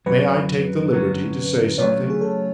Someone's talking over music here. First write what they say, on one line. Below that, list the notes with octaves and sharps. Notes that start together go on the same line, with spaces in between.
'May I take the liberty to say something?'
F#2 D3 F#3 C#4 F#4 B4
F#2 D3 F#3 C#4 F#4
C#3 F#3 A3 F4 C#5
G#4
A4